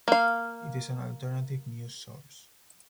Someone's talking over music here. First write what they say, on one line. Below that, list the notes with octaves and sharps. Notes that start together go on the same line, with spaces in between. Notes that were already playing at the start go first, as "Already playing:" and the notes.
It is an alternative-news source.
A#3 F5